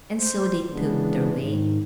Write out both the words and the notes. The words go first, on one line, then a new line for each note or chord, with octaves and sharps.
And so they took their way.
C5
C#3 E3 G#3 B3 D4
G#2 D#3